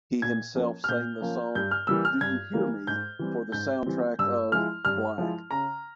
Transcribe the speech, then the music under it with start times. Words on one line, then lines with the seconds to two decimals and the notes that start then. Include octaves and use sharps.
He himself sang the song "Do You Hear Me" for the soundtrack of "Black".
0.22 A#2 G#6
0.55 F3 A#3 C#4
0.84 F6
0.89 A#2 G6
1.21 F3 A#3 C#4
1.55 G2 G6
1.71 F6
1.87 E3 G3 A#3 E6
2.05 F6
2.21 G2 G#6
2.54 E3 G3 A#3
2.87 G#2 G6
3.19 E3 G3 C4
3.52 G#2 G6
3.86 E3 G3 C4
4.19 G2 E6
4.52 F3 G#3 E4 F6
4.85 G2 F6
5.18 F3 G#3 E4
5.51 C#3 A#5